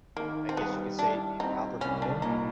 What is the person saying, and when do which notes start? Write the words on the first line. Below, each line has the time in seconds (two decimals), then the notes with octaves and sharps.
I guess you could say, named Albert Camus
0.16 D#3 A#3
0.49 C4
0.57 G3 B3
0.99 D4 E4
1.40 C4 D#4
1.81 C2 C#4
2.02 D4
2.22 A#2 D#4